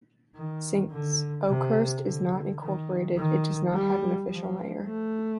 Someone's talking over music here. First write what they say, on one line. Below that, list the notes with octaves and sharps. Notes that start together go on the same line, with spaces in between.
Since Oakhurst is not incorporated, it does not have an official mayor.
D#3
D3
C3
D3
D3
D#3
D#3
G3
F3
A3